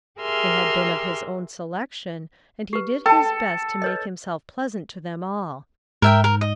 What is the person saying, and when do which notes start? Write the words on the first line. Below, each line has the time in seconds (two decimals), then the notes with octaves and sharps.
They had been of his own selection, and he did his best to make himself pleasant to them all.
0.20 G4 G#4 A#4 E5 C6 F6
2.73 G4 B4
3.06 A4 G5 A5
3.82 B4 C#5 D#5
6.02 G#2 A#4 E5 G5
6.24 A#4
6.41 D#5